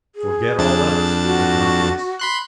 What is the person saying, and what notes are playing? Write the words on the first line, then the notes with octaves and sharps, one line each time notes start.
Forget all else, but not this.
G#4
F2 D4 A6
F#4
B5 C6 F#6